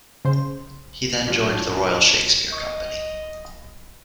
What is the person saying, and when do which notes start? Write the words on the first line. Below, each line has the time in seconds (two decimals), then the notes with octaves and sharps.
He then joined the Royal Shakespeare Company.
0.25 C#3 C5
1.28 A#2 F#3 D4
2.52 D#5 C#6